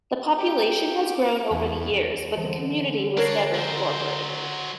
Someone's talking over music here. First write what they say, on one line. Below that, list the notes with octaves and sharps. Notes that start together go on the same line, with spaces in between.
The population has grown over the years but the community was never incorporated.
G4
E2
D3 E3
D4 A#4 C#5 A#5 A#6 C7
F#3 C5